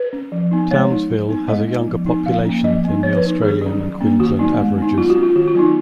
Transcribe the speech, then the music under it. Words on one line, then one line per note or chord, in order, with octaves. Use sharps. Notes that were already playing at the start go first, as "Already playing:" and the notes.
Townsville has a younger population than the Australian and Queensland averages.
Already playing: B4
C#4
F3
B3 D#4
G#3 C#5
D#4
F#3
B3 D#4
G#3 D#5
B3 D#4
F3
B3 D#4
F3 F5
A#3 C#4
F3 D#5
B3 D#4
F3 C#5
B4
B3 D#4
D#3 G#4
F#3 C#4
F#3
A#3 C#4
D#3 F#4
F#3 B3 D#4
G#3
B3 D#4
F#3 F4
F#4
C#4
F4
D#3 F#4
F4
F#3 B3 D#4